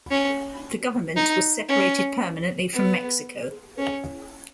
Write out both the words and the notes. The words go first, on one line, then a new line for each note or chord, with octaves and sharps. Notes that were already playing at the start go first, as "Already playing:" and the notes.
The government was separated permanently from Mexico.
C#4
D#4
C#4
B3
C#4